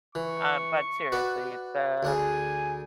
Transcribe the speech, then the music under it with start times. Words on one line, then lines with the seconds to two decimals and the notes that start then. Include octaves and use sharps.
uh, but seriously, it's, uh,
0.15 E3 C#6
1.12 F#4 B4 D5
2.03 D2 D4 G#4 G#5